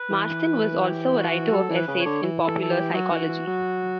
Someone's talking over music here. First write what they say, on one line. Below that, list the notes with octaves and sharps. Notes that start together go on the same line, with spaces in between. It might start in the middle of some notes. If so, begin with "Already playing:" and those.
Marston was also a writer of essays in popular psychology.
Already playing: B4
E3
G4
F#4
F#3 A4
E3
B4
C#3
C#5
D3
E3
A4
A4
G4
F#3 F#4
E3
E3
F#3